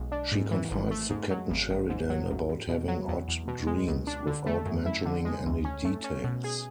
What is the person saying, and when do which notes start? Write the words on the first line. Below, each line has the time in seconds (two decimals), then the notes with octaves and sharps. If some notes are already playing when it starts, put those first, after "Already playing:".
She confides to Captain Sheridan about having odd dreams, without mentioning any details.
Already playing: B1 G#3
0.12 D4
0.32 G#2
0.51 E3
0.71 G#1
0.91 A3
1.10 G#2
1.30 F#3
1.50 G#1
1.70 G#1
1.89 G#2
2.10 F#3
2.29 A1
2.49 A1
2.68 B2
2.88 F#3
3.08 E2
3.28 E2
3.48 B2
3.67 G#3
3.87 C#2
4.07 D4
4.26 D3
4.46 A3
4.66 F#2
4.86 E4
5.05 D3
5.25 G#3
5.46 D2
5.65 C#4
5.85 A3
6.04 C#4
6.24 B2
6.44 G#4